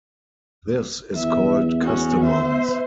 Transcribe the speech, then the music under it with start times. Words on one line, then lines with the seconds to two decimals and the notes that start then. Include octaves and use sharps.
This is called customize.
1.15 E2 E5
1.81 B3 C#4 F#4
2.23 C5 E5